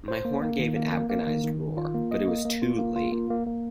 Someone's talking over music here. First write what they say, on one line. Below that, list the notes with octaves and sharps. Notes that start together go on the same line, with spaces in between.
My horn gave an agonised roar, but it was too late.
C5
A#3
A#3
D#3
A#3
A#3
A#3
D#3
D#3
D#3
F4
A#3
D#5
A#3
A#3
F4
A#3
F4
A#3
A#3
A#3